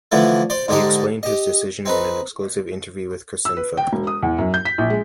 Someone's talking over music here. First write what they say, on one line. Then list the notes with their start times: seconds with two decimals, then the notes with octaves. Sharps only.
He explained his decision in an exclusive interview with Cricinfo.
0.12 D3 E3 F3 A3 E4
0.50 C5 D5 C6
0.68 G#2 D3 D#4 G4 D#5
1.23 G4 D#5
1.86 C4 D#4 B4
3.45 E6
3.57 B4
3.77 G5
3.93 E1
4.07 D#6
4.23 E2
4.38 F#2
4.54 G6
4.65 B6
4.78 A#1
4.90 G#3